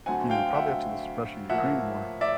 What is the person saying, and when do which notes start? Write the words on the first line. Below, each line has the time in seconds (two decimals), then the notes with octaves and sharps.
You know, probably up to this Russia-Ukraine war,
0.06 D2 D3 F#3 A3 C4 F#5 G#5
0.30 F5 G5
0.54 E5 F#5
1.50 A2 F3 A#3 E5 F#5
2.21 D5 E5